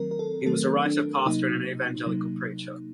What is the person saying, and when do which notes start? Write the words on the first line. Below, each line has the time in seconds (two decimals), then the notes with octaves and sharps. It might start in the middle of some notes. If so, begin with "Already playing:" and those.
He was a writer, pastor and an evangelical preacher.
Already playing: D#3 F#3 A3 C4 A#4
0.11 A#4
0.19 A4
0.46 D#3 F#3 A3 C4 A4
0.86 D4
1.26 C3 F#3 A#3 D#4
2.06 C3 F#3 A#3